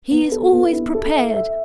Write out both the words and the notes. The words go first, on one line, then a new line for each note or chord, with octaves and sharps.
'He is always prepared!
B3
A4
B3
E4
A4
E5
E5